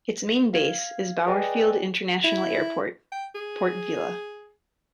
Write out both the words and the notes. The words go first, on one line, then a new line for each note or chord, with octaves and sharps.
Its main base is Bauerfield International Airport, Port Vila.
F5 G#6
G#4 B4 D5 D#5 G5 G#5
E4
G5
G#4